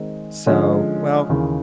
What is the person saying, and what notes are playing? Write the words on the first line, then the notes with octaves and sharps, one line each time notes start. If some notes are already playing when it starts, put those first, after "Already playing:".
so, well,
Already playing: D#3 G#3 C4
D3 F3 G#3 C#4
D#2 C#3 E3